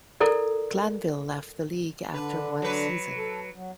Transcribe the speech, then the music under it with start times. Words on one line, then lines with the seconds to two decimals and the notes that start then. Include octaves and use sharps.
Glanville left the league after one season.
0.20 E4 A4 A#4 D5
2.14 D3 D4 B4
2.62 F#3 B4
3.17 A4
3.54 F#3